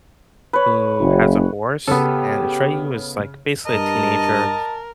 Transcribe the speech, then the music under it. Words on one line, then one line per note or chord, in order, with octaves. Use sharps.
who has a horse. And Atreyu is, like, basically a teenager,
B4 C#5
F#1
C#3 B3 G4 A4
G2 A#4 D#5 A5